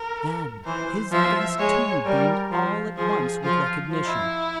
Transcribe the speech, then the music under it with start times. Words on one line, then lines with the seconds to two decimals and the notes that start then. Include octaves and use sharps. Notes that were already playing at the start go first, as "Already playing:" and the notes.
Then his face, too, beamed all at once with recognition.
Already playing: A#4
0.65 E3 C5
1.12 F3 E5
1.58 G#3 C#5
2.04 G3 A#4
2.51 F3
2.97 F3 G#4
3.43 F3 F4
3.90 F3
4.06 E4